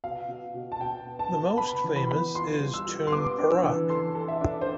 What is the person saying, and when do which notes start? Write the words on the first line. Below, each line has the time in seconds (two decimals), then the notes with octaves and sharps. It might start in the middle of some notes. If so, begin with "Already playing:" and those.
The most famous is Tun Perak.
0.04 B2 F5
0.28 B2
0.54 B2
0.72 A5
0.81 B2 G5
1.06 B3
1.19 A5
1.31 B2
1.57 B3 B5
1.84 E3
1.96 B5
2.10 B3
2.35 F4 C6
2.60 G3
2.74 E6
2.86 F4
3.07 C6
3.12 B3 D6
3.38 D4
3.52 E6
3.63 E3
3.90 A4 C6
4.15 A4
4.28 E5
4.41 D4
4.61 C5